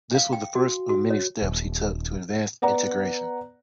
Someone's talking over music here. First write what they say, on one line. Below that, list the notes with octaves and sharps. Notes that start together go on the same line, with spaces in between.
This was the first of many steps he took to advance integration.
F5
G5
F#4
F#4
C#5
D#1
B3 D5 F#5 A#5